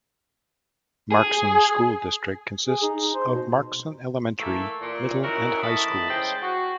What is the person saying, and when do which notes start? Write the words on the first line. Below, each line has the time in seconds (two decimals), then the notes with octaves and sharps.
Markesan School District consists of Markesan Elementary, Middle and High Schools.
1.12 G#4
2.68 G#4
2.83 D#4
3.15 C5
3.28 B2
4.39 E3 A3 A#3
4.81 A#2
5.23 C#4 D#4 E4 F#4 A#4
5.62 A2 D#3 E3 D#5 A5 B5
6.09 C#3 G#3 E4 C5 G5 A5
6.42 F#4